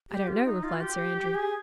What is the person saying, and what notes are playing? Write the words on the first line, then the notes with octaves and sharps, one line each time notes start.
"I don't know," replied Sir Andrew.
G4
F4
D#4
F4
G4
G#4